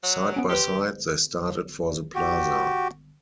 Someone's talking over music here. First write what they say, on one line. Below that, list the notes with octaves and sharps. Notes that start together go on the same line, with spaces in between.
Side by side they started for the Plaza.
F#3
B3 C#4 D7
G4 B4 C6
F#4 G4